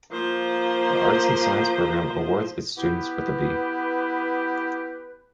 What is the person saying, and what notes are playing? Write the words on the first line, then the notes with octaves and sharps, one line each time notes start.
The Arts and Science Program awards its students with a B.
F3 A#3 C5
B3 E4 G4 B4